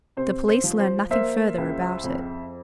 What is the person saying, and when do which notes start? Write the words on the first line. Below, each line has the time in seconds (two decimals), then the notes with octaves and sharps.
The police learned nothing further about it.
0.17 C3 C5
0.48 C5
0.64 F3
0.80 C5
1.11 A#3 C5 E5
1.58 C#2
2.04 F2